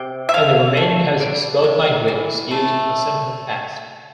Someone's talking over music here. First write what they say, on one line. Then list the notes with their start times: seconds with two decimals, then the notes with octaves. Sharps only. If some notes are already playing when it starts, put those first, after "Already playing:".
In the remaining cases, both languages use a simple past.
Already playing: C3 G5
0.29 E5
0.34 D3 F5
0.77 A3
1.20 G3
1.64 C3
2.08 E3
2.51 A3